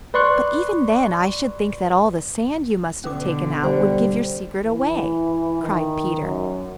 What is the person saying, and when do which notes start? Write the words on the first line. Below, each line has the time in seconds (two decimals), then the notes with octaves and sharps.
"But even then, I should think that all the sand you must have taken out would give your secret away," cried Peter.
0.14 B4 D5 C6 C#6 F#6
3.04 B2 D3 C#4 B4 D6
3.64 G3 C5
4.64 E3
5.62 D#3
6.20 F#2